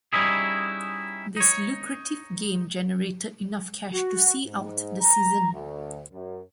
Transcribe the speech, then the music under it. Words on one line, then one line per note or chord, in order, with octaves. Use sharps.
This lucrative game generated enough cash to see out the season.
G3 C#4 D#4 E4 G#4
D#4 C#5
F#4
G#2
A#5
D2
F#2